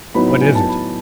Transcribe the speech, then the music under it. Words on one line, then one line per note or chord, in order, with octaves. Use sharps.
"What is it?"
A2 F#3 B3 D#4 B5
B5
G#5
A5
B5